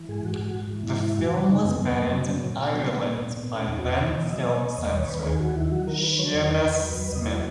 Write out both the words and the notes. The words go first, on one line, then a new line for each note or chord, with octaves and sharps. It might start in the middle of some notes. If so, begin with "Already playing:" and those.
The film was banned in Ireland by then film censor Sheamus Smith.
Already playing: E3
G#2 G#4
G#2 F#4
G#4
G#2
F#4
G#2
E3
G#2 E4
E3 E4
F#2 F#4
C#3
C#3 D#4
F#2 B3
F#2 B3
F#2 A#3
F#3 B3
F#3 B3
A#2 C#4
A#2
F#3 B3
A#2
A#2 A#3
A#2 B3
A#2 B3
A#2 C#4
E2 D#4
F#4
E2
E5
B2 D#5
B2
F#3 E5
B2 D#5
C#5
B2 D#5
E2
B4
D#2 C#5
D#2 B4
A#4
D#3 G#4
D#2 F#4
D#3 E4
F#3 F#4
D#3 A#4
D#3 B4
F#3 C#5
E2
D#3 B4
E2
F#3
E2
E2 D#5
F#3 E4